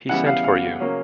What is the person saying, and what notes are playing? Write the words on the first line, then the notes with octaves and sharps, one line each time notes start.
He sent for you.
C#3 E3 G3 B3 F#5
F5
F5
C#3 F#3 A#3 C#4